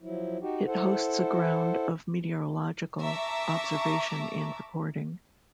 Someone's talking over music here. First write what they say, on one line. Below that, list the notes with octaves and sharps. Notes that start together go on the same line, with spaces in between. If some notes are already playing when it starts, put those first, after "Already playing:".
It hosts a ground of meteorological observation and recording.
F3 F#3 E4
D#4 F#4 G4
E4 A4 C5 F#5
E5 A5 A#5 C#6 D6